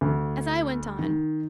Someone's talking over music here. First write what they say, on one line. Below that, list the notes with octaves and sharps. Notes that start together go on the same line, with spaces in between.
As I went on!
D2
D#3